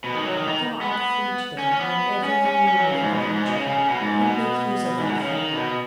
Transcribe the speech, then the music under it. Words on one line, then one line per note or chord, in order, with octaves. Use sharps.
Thou art free to-day, like every young noble in the country; then make use of thy freedom.
B2
D#3
F#3
D#3
D#3
B3
B3
C#4
C#4
B3
C#4
C#4
C#4
F#3
C#3
G#2
B2
G#2
G#2
B2
C#3
C#3
C#3
B2
G#2
B2
G#2
B2
C#3
D#3
B2